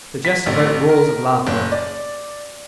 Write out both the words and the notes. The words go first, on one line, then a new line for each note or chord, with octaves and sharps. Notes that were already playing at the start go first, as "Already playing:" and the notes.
The jests evoke roars of laughter.
B6
A1
A#4
F#1
D5